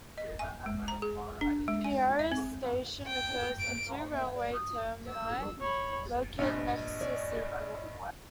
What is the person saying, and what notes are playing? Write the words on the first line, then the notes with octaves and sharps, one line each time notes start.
Piraeus station refers to the two railway termini located next to the seaport.
D#5
G#5
G#3
A#5
G#4
D4
G#3
G#5
E5
C4
G5
D7
E5
D5
D#6
E6
C#5 B5
A#1 G2 D#5
C#5 D5